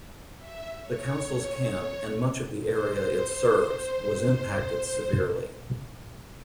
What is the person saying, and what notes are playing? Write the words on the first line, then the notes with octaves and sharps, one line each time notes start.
The Council's camp, and much of the area it serves, was impacted severely.
E5
C#5
C5